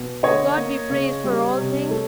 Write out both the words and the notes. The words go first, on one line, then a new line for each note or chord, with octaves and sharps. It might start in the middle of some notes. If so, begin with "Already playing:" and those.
But God be praised for all things!
Already playing: B2
D3 C#5 D#5
A#3
C#3
G3
C3
A3